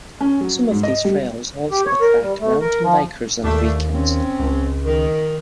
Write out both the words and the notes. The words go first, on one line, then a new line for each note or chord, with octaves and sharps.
Some of these trails also attract mountain bikers on the weekends.
C#4
F#3
G#2
D#5
G3
G4
C#5
A#4
G3
A3
A#4
F3
D#2 A3 D4
C4 C#4
C#2
D#3